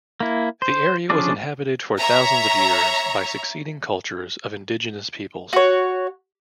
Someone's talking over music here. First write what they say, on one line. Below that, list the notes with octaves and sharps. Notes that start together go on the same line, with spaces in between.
The area was inhabited for thousands of years by succeeding cultures of indigenous peoples.
A#3 E4
C5
F3 C#4 D4 G#4 D5
C#5 E5 A#5
F#4 C#5